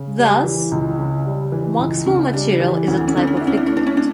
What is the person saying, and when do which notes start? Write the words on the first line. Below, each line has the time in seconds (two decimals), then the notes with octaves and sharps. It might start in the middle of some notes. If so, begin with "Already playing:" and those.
Thus, Maxwell material is a type of liquid.
Already playing: C#3
0.18 G3
0.44 E3
0.71 C#2
0.98 C#3
1.26 G3
1.52 E3
1.79 C#2
2.06 C#3 C#4
2.33 G3 D4
2.60 E3
2.87 D2 C#4
2.97 D4
3.08 C#4
3.14 D3 D4
3.27 C#4
3.37 D4 E4
3.47 C#4
3.57 D4
3.67 A3 C#4
3.77 D4
3.87 C#4
3.97 D4